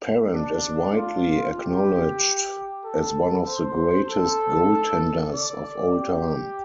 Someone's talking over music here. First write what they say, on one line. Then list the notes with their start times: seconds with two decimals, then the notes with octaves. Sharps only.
Parent is widely acknowledged as one of the greatest goaltenders of all time.
0.33 D4
0.97 F4
1.58 G4
2.84 A4
3.46 C5
4.08 A4
5.33 D5
5.95 G4